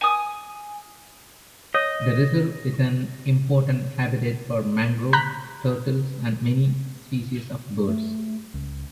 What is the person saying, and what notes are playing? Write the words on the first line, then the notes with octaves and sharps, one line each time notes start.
The reserve is an important habitat for mangrove, turtles, and many species of birds.
G#5 D#6
C#5 D#5
A#5 B5 F#6 G6 B6
A3
C#2